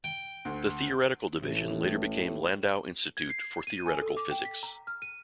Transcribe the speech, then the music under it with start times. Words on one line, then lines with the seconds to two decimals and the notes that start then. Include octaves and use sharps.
The theoretical division later became Landau Institute for Theoretical Physics.
0.04 G5
0.45 D2
1.40 A1 A2
3.17 G#6
3.30 C7
3.67 D#7
3.86 G#5
4.02 A4
4.17 D6
4.31 G5
4.45 B6
4.63 A#5
4.87 F6
5.02 D#7